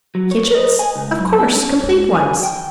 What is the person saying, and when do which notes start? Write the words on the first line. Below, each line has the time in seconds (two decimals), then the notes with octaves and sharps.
"Kitchens?--of course--complete ones."
0.15 F#3
0.31 C#5
0.55 D#5
0.79 G#5
0.96 C#2
1.19 F#2
1.38 B3
1.55 C#4
1.83 G#2
2.15 G#5
2.43 G5